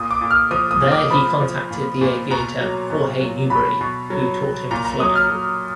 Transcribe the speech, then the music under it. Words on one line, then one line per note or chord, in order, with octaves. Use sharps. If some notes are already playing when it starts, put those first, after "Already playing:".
There he contacted the aviator Jorge Newbery, who taught him to fly.
Already playing: A#2 D#6
D6
A#2
F6
F3 D#6
D#6
A#2
D6
F3 B5
F3
A#2
A#2
B2 A#5
F#3
B2
F#3
B2 B5
B2
F#3
F#3
A#2 A#5
A#5
F#3 D#6
F6
F#3